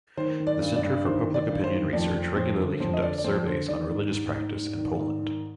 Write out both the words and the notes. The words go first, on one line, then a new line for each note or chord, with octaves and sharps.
The Centre for Public Opinion Research regularly conducts surveys on religious practice in Poland.
D#3 C5
D#3
D5
G2
D5
G2
D#3 C5
D#3
D5
G2
C5
D#3
F2 D5
F2
F2 C5
D3
F2 C5
D#5
D3 D5
D5
F2 C5
D3 C5
D#3 D5
G#2
G#2
G#2
G#2
D#3
G#2
D#3